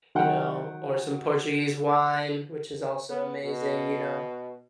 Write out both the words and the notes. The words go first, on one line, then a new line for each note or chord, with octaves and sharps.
you know, or some Portuguese wine, which is also amazing, you know?
D#3 F#3 F#5 G5
B3
B2